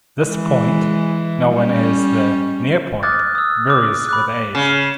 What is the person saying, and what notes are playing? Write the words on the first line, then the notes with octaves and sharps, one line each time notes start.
This point, known as the "near point", varies with age.
E3 G#3
G3 C#4
D6 D#6 F6 F#6 G#6 A6
D#6 E6
D6
B5 D6 F#6
C#3